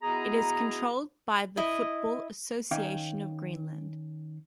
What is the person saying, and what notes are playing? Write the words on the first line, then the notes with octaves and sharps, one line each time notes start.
It is controlled by the Football Association of Greenland.
B3 E4 F#4 G#4 D#5 A#5
E4 D#5
D#3 C#4 D#4 F5 G5